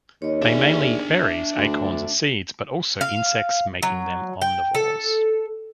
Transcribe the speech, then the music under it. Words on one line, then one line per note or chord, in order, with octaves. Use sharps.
They mainly eat berries, acorns, and seeds, but also insects, making them omnivores.
D#2 C#5 D#5
D4 G#4 D5 E5 G#5
E5
D2
F5
F#3
G5
A4